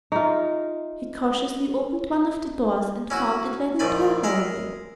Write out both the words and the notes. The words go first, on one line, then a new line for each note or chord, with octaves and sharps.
He cautiously opened one of the doors and found it led into a hallway.
D#4 F4 G#4 E5
C#4 E4 F#4
A#1 D#3 D5 G#5 B5
G#3 A#4 E5 B5